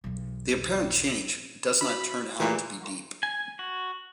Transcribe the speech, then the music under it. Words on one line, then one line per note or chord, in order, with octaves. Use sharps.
The apparent change does not turn out to be deep.
B1 E2
F#4 E5 B5
A#2 E3 A3 G4 G#4
G#5
F#4